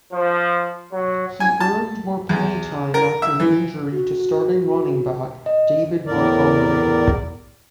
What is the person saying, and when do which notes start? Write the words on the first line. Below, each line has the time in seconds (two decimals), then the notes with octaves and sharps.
He earned more playtime after an injury to starting running back David Montgomery.
0.12 F3
0.92 F#3
1.40 G#5
1.60 A5
2.29 E2
2.94 A#4
3.22 E5
3.40 E3
3.92 F#4
5.46 D#5
6.06 E2 A2 A#4 D5